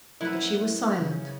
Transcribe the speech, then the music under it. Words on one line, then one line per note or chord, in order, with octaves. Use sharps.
But she was silent.
F#2 E4 B4
C#3 C#4